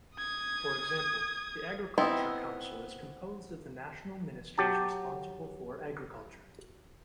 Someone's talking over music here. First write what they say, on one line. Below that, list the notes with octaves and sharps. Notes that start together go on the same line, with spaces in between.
For example, the Agriculture Council is composed of the national ministers responsible for Agriculture.
D#6 G#6
B3 C4 D#4 E4
F#3 G4 A5